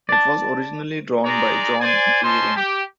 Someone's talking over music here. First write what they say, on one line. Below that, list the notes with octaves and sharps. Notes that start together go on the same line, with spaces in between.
It was originally drawn by John Geering.
D5 A5
G#3 D#4 D5 A#5
C5 D5 G#5
C#4 C5 D#5 A5 C6
G4